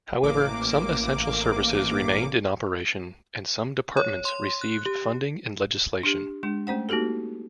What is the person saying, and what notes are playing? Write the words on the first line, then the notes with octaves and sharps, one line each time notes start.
However, some essential services remained in operation and some departments received funding in legislation.
A1 A#3 D6
C#5
C6
F#6
G4
D4 G4
G#3 D4
A3 C#4 C5 F#5
A#3 D#4 F#4 G4 A4